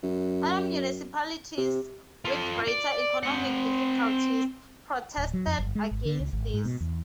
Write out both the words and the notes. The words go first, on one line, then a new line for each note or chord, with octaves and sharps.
Other municipalities with greater economic difficulties protested against this.
F#2
C3
F4 A4
D5
C4 F#5
D1
F#3
F2
G1
G#3
G#1
D3
C#2
G#1
G#2
B2
E2